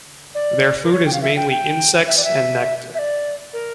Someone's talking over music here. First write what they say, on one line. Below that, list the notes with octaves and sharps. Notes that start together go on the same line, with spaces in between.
Their food is mainly insects and nectar.
D5
A#4
C#5
G5
F5
E5
G5
G5
E5
D5
E5
E5
D5
A#4